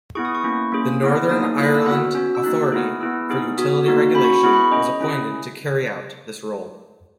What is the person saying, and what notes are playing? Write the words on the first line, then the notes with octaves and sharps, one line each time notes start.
The Northern Ireland Authority for Utility Regulation was appointed to carry out this role.
B3 E4 G#4 C#6
D#6
C#6
A#3 C#4 E4
A#3 C#4 G#4
B3 E4 G#4
A#3 D#4 G#4 D#6
A#3 E4 G#4 D#6
E6
B3 F#4 F#6
C#4 F#4
E6
A#3 D#4 F#4 F#6
B3 E4 G#4
B3 E4 G#4 E6
B3 D#4 G#4
B3 F#4 D#6
A#3 D#4 F#4
C#4 F#4 B5
C#6
B5
B3 E4 G#4 C#6
B5
C#4 G#4 D#5
C#4 E4 G#4